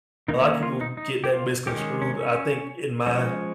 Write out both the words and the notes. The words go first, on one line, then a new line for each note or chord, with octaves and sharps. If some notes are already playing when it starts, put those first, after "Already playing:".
a lot of people get that misconstrued, I think in my
D#3 A#3 C#4 D#4
F4
D#4
D#4
G4
F4
D#3 G#3 C#4 G4
C#4
C#4
F3 G#3 C#4